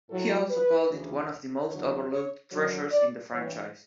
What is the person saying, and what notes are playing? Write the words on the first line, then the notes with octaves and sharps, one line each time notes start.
He also called it one of the most overlooked treasures in the franchise.
A2 F#3 A4
B4
D2 C#3 E3
E2 D3 F#3 C#5
C#5
F#2 D3 F#3 C#5
D5
G2 E3 C#5